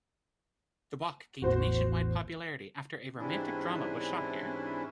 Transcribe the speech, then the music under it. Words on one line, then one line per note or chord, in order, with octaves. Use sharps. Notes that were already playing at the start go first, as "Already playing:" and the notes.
The walk gained nationwide popularity after a romantic drama was shot here.
A1 E2 F#4 C5
G#2 C3 E3 C#4 D4 E4